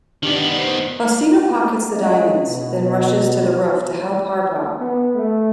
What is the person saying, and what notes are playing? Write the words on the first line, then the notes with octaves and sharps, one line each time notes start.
Faustino pockets the diamonds, then rushes to the roof to help Harpo.
D#3 B3 D4 G4 D5
C5 C7
G#3 A3 C#4 F4 D#5
B2
B3
A3